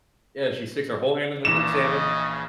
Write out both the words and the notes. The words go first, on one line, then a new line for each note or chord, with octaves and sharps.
yeah, she sticks her whole hand in the cooked salmon,
A#1 C#3 E3 D4 E7
D#5